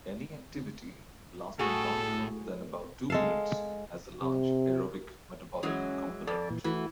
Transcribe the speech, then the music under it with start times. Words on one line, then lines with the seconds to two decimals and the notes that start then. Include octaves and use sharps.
Any activity lasting longer than about two minutes has a large aerobic metabolic component.
1.59 A2 F#4 G#4 A4
3.10 G#3 A4 F5
4.22 C3
5.63 E3 F#3 G#3 C#4
6.27 F2 A4 D5
6.50 A#2 E3
6.64 E3 A3 F#4